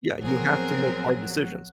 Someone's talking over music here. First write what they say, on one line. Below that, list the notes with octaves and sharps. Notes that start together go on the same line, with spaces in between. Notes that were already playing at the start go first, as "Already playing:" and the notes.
Yeah, you have to make hard decisions.
A1 F3 F#3 B3 C4 G#4 A#4